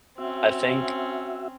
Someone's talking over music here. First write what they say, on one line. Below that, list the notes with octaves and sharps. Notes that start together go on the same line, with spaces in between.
I think
C4 C#4 F#4 E5